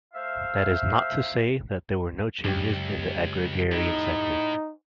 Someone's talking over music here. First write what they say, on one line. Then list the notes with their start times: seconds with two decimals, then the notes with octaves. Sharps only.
That is not to say that there were no changes in the agrarian sector.
0.14 A3 C5 E5 F5
2.44 C#2 F#2 G4
3.72 A2 D#4